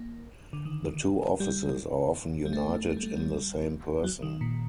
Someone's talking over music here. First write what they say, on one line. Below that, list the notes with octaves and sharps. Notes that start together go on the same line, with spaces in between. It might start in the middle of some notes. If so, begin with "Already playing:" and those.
The two offices are often united in the same person.
Already playing: A#3
D3
D#3
G3
G3
A3
A3
G3
A3
G3
F#3
D#3
A#2